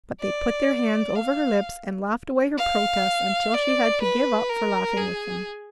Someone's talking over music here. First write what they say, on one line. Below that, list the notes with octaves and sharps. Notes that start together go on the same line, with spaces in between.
But they put their hands over her lips, and laughed away her protests until she had to give up for laughing with them.
D5
F5
F5
D5
B4
A#4
G#4